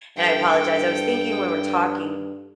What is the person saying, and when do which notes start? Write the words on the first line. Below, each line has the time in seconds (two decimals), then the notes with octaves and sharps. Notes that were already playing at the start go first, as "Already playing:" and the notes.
and I apologize, I was thinking when we're talking
0.16 G2 A4 G5